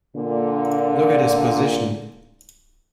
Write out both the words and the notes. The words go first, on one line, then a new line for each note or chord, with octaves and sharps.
Look at his position.
A#2 D3